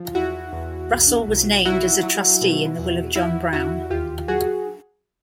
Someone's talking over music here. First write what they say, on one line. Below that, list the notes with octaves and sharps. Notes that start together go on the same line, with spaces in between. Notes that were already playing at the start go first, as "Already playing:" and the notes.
Russell was named as a trustee in the will of John Brown.
Already playing: F3
E2 E4 F#4
E2
B1
B1
F#3 E4 F#4
F#3
B2
E2
E2 E4 F#4
E2 E4 F#4
D#2 F4 G4
F#3 F#4 G#4